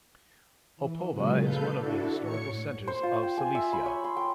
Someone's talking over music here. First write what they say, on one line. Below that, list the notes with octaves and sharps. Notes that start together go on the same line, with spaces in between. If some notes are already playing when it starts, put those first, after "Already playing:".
Opava is one of the historical centres of Silesia.
E3
A#2 C#3 F#3 G#3
A4 B4 F5 G6
D4 E4 F#4 A4
A2 C#5 C#6 C#7
C5
F4
G5
G#5
E5
B5
C#5
C6
G5